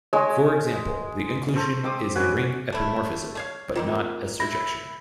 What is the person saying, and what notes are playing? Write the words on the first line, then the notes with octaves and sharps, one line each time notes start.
For example, the inclusion is a ring epimorphism, but not a surjection.
G#3 C#5 D#5 G#5
A4 C5 C#6
G#3 C4 D6 D#6
C#4 F#4 B4 G#5
A3 E4
A3 C#5 F5
D#3 A#3 C4 F4
E4 B5 A#6